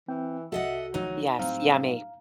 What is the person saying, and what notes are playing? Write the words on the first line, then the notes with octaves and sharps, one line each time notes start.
Yes, yummy.
E3 C4 G5
C2 F#4 A4 D#5 E5 F#5
D#3 F3 F#3 A3 D#4
A2 F#3 G3 C4 F5 A#5